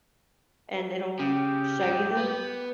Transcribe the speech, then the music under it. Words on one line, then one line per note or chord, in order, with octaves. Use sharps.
and it'll show you the
C#3 G4
G#2
B3